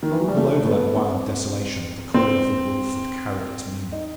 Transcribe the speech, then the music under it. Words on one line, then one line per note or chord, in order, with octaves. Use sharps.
All over that wild desolation the call of the wolf had carried its meaning.
D#3
E3
F#3
G3
A3
B3
C4
C4
D#4